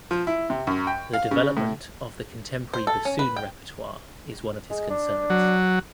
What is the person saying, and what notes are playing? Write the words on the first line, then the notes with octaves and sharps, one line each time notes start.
The development of the contemporary bassoon repertoire is one of his concerns.
F3
E4
C3
F#2
G5
F5
C#3
A2
C5
A4
C#4
B4
G5
G#3
D4
F#3